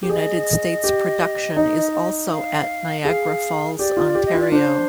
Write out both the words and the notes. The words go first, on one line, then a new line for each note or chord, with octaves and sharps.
United States production is also at Niagara Falls, Ontario.
G4
G#4 D#5
G4
D#4
F5
G#4 F5
G4 D5
F4
G4
D#5
F4
D5
D4 C5